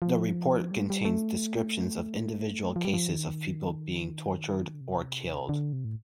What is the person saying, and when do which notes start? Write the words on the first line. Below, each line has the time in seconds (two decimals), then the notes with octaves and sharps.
The report contains descriptions of individual cases of people being tortured or killed.
0.02 F3
0.71 G3
0.80 A3
0.90 G3
1.05 A3
2.76 F3
2.85 G3
2.93 F3
3.10 D#3
4.74 D3
4.81 C3
5.49 D3
5.73 C3
5.85 A2